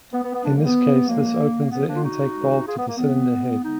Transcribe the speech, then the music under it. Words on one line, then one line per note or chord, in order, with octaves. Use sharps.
In this case this opens the intake valve to the cylinder head.
B3
B3
B3
F#2 D3 F3 G#3 A#3 D4
A#3
B3
F#2 F3 G#3 A#3
D2 D3 F3 B3
A#3 D4
F4
D#4 F#4
F#2 D#3 G#3
F4 G#4
B3
A#3
D#2 D#3 G#3 B3
D3 G#3 B3 D#4